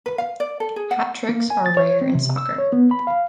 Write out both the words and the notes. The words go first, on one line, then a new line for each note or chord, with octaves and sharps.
Hat tricks are rare in soccer.
B4
F5
D5
A4
G#4
F#5
A#3
G#5
A6
C#5
C4
C3
E6
C#5
B3
B5
F5